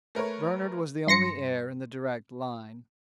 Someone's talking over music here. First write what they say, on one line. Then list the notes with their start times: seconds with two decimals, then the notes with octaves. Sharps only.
"Bernard was the only heir in the direct line."
0.15 A3 A#4 B4 C#5
1.07 G2 C6 A#6 C#7